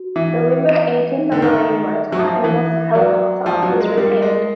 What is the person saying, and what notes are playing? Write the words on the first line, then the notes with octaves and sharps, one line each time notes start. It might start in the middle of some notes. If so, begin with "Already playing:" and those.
The Limbo anti-submarine mortar and Wasp helicopter was retained.
Already playing: F#4
E3 E5
E5
B4
C5
D#4
D3
D#3 D#4
D#4
E5
F#3
F3 E5
E3 B4
E5
F#3 D5
D5
F3 F4
F#3
F4
G#3
G3 A#4
G#3 A#4